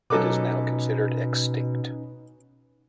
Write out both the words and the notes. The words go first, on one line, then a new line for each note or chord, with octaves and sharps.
It is now considered extinct.
B2 F#3 C#4 D#4 A4 B4 D6